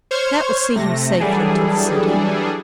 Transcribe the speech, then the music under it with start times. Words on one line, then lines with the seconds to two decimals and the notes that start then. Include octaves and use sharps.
That will see him safely to the City.
0.11 C5 C#5 C#6 F6 G#6
0.75 C3 A3 A#6
1.20 E3 F#3 G3 D4 G#4 A4